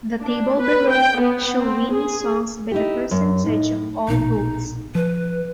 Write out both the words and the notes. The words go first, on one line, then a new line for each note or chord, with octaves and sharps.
The table below show winning songs by the percentage of all votes.
D4
B4
G5
B3
C4
G#4
D#4 E4 G4
F#2
A2 D#4
A#1 B2 D#4
F3 B4